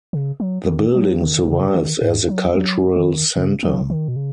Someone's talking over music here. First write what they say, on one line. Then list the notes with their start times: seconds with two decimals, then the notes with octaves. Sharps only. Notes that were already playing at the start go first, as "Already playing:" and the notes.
The building survives as a cultural centre.
0.13 C#3
0.40 F#3
0.67 D#3
0.94 F#3
1.21 D#3
1.48 C#3
1.74 D#3
2.01 G#2
2.28 F#3
2.55 F#3
2.96 D#3
3.36 C#3
3.63 F#3
3.90 D#3
4.08 B2
4.16 C#3